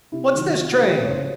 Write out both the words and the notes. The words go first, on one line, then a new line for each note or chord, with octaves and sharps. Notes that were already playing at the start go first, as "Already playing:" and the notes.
"What's this train!"
C3 E4
D#3 F#3
C3 F4
F#4
E3 A3
G4
C#3 C#5
C5
C#5